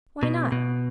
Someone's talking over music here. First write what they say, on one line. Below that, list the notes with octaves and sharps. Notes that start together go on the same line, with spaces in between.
Why not?
B2
B2